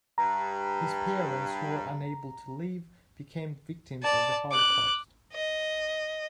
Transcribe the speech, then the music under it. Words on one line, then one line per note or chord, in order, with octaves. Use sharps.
His parents, who were unable to leave, became victims of the Holocaust.
G2 A#5
D5 A5
D6 F#6
D#5